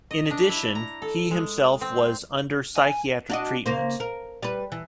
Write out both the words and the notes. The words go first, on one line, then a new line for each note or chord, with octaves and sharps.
In addition, he himself was under psychiatric treatment.
D#5
D4
E4
A#5
A4
G#3
C4
G#5
D4 F#4 D#5
C#3 A#3 C5
A#4
G3 B4
E3